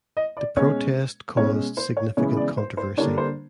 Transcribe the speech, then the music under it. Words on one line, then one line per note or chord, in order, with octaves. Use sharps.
The protest caused significant controversy.
D#5
D5
B2 G#3 C#4 C#5
B2 G#3 C#4 C#5
C5
C#5
C#3 E3 G#3 B3 C#5
D5
C5
C5
D3 G3 A#3 D4 C#5
C5